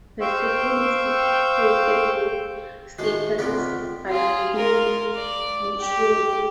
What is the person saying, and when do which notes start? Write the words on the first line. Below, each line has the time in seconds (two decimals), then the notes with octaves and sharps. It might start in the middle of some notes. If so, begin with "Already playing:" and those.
The facade is decorated with statues by Giovanni Marchiori.
0.21 C5 F5 G5 C#6 E6 G6
2.99 A2 D#3 G#3 F#4
3.39 D2 C#3 B3 C4 F4 B6
4.09 F4 G#4
4.55 F4 A#4
5.16 D5
5.81 G4